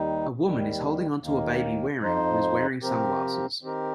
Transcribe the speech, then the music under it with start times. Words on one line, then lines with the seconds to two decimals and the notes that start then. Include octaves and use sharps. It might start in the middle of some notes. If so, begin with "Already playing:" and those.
A woman is holding onto a baby wearing who is wearing sunglasses.
Already playing: D#2 D#3 G3 D#4
0.43 D#2 D#3 G3
1.22 D#2 D#3 A#3
2.02 F2 F3 D#4 C5
2.82 C3 F3 C4 G4 A#4
3.63 D#3 C4 G4 A#4